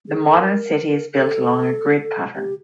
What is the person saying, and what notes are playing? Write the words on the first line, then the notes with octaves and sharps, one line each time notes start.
The modern city is built along a grid pattern.
G#4
A4
A#4
A4
G4